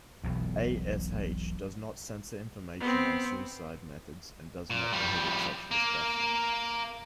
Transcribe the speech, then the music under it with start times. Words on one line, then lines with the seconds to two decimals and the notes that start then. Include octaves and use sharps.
A.s.h does not censor information on suicide methods and does not prohibit such discussion.
0.24 E1 B1 E2
2.80 B3 C4
4.70 A#2
4.92 F3 G3
5.71 A#3